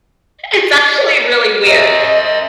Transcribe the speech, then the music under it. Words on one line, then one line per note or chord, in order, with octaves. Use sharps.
It's actually really weird.
A#4 D#5 E5